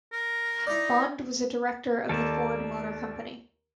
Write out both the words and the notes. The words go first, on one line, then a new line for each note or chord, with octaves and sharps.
Bond was a director of the Ford Motor Company.
A#4
D#4 E4 D5
D#2 A4 D5 A5